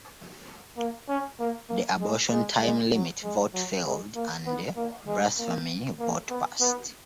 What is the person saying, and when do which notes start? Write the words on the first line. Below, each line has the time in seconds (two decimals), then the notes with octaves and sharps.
The abortion time limit vote failed and the blasphemy vote passed.
0.78 A#3
1.08 C#4
1.39 A#3
1.70 A#3
2.01 G#3
2.31 G#3
2.62 G#3
2.93 F#3
3.23 G#3
3.54 F#3
3.85 G#3
4.15 A#3
4.46 B3
4.77 A#3
5.07 G#3
5.38 A#3
5.99 A#3
6.30 B3
6.61 B3